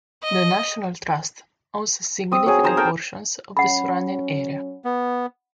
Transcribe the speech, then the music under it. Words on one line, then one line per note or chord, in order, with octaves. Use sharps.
The National Trust owns significant portions of the surrounding area.
D#5
C4 D#6
F#3 G#4
D#4 A#4 C5 A#5
A#4 G5 A5 A#5
F#3 C#4 F#5 B5
B3